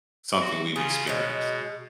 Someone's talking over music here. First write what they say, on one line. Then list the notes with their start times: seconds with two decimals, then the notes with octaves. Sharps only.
something we've experienced.
0.41 F#4
0.76 C#3 F4 G#4
1.07 B2 F#3 G#3